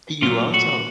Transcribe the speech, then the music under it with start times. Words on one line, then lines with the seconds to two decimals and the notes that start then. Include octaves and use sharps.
You also.
0.22 A#2 F#3 A3 F4
0.54 F#4